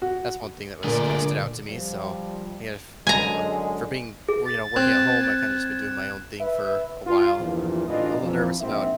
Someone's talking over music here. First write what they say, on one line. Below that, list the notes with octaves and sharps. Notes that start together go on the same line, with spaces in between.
that's one thing that was kinda stood out to me. So, if but for being well, you know, working at home, I kinda just been doing my own thing for a while. I'm a little nervous about
F#4
A#2 D3 A3 G#4 A#4 D5 D6
F3 G3
F#2 D3 G#3 G#5 A#5
G#4
A6
C4 F#6 G#6 E7
B4 E5
F4
E2 G2 A#2 E3 F3
A1 D2 E3 D4 F4 D#5
F2 C3 E3 F3
A#1 G#2 C4 E5